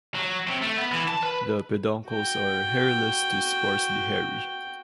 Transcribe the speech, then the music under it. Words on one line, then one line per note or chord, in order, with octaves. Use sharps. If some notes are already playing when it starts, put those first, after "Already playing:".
The peduncles are hairless to sparsely hairy.
F#3
C3
A3
B3
E3
A5
B4
F#4 G5